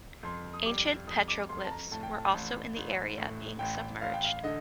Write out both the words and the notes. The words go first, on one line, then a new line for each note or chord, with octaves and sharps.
Ancient petroglyphs were also in the area being submerged.
F2 C6
D#6
G3 D6
F2 D#6
D6
F2 C6
A5
A#5
A2 A5
G5
A5
A1
A1
A2
A1 G5
A1 F5
G5
F5
D3 D#5